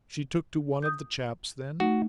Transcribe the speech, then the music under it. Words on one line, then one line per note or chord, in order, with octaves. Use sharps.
'She took to one of the chaps then?'
D#6 G6
A3 D#4 F#4